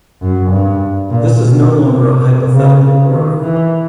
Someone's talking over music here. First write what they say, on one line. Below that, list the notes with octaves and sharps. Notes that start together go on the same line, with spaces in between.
This is no longer a hypothetical worry.
F#2
G2
A#2
B2
C3
C3
C#3
C#3
D#3
E3